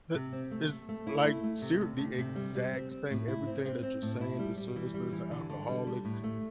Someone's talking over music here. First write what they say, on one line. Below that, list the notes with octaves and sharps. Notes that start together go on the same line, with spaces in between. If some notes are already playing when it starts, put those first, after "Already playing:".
the is, like, ser the exact same everything that you're saying, the sister's an alcoholic,
C3
C4
A3
A3
A3
E4
A3
A3
C3
D2
D2
C3
G3
G3
C4
C4
A2
E4
C4
C4
C4
A2
E4
G3
G3
E3
G3
E3
D3
D3
G3
G3
A2
A3